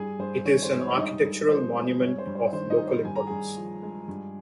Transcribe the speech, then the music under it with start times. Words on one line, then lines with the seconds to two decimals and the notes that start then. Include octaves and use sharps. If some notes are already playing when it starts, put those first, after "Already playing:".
It is an architectural monument of local importance.
Already playing: G2 G3 G#4 G#5
0.19 G2 C5
0.45 D#3 C#5
0.63 C5
0.72 G#3
0.80 C#5
0.97 G2 D#4 D#5
1.23 G2
1.49 F3 C5
1.75 G#3
2.01 G2 C#5
2.18 C5
2.27 G2
2.35 C5
2.53 D#3 C5
2.70 D#4 D#5
2.79 G3
2.87 C5
3.05 G2 G#5
3.15 A#5
3.27 G2 G#4 G#5
3.57 F3
3.82 G#3
4.08 G2